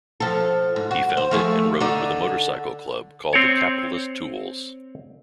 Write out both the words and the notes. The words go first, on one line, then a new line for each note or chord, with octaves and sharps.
He founded and rode with a motorcycle club called the Capitalist Tools.
F3 A4
G#2
F#4
C5
F3 A3 G#4
D3 D#4 D5
C4 C#5